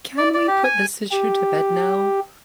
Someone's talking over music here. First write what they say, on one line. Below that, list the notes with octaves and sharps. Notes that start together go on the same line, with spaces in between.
Can we put this issue to bed now?
D5
D5
G4
G#5
G4